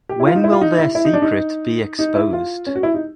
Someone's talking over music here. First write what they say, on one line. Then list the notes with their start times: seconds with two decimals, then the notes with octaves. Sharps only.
When will their secret be exposed?
0.09 G4
0.20 E4
0.27 F4
0.35 D#4
0.44 E4
0.53 F4
0.61 D#4
0.78 E4
0.95 E4
1.05 D#4
1.13 D4
1.22 D#4
1.99 D#4
2.15 E4
2.33 F4
2.67 C#4
2.75 F#4
2.83 E4
2.94 D#4